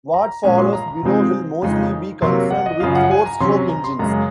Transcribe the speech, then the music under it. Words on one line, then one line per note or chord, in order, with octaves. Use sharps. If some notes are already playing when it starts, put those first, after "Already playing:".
What follows below will mostly be concerned with four-stroke engines.
A#5
A#2 G#3 C#4 G#5
C6
A#5
A#5
C3 F3 G#3 C4 D#4
F2 C#3 F3 G#3 D#4
C3 F#3 A#3 C6
F#5
D#5
F#2 C#3 F3 F5
F#5
G#5
A#5
C3 F#3 C#4 C6
A#5
C6
F#2 C#3 G#3 A#5